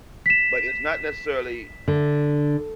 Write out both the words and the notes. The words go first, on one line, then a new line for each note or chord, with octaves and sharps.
but it's not necessarily,
B6 E7
D3